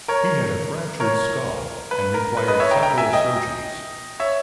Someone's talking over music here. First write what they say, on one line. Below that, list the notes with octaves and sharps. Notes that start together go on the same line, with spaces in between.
He had a fractured skull and required several surgeries.
A#4 C#5
A#4 C#5
B4
A#4
B4
B4 D#5
C#5 E5
G5 A#5
G5 A#5
E5 G#5
D#5 G5
C#5 E5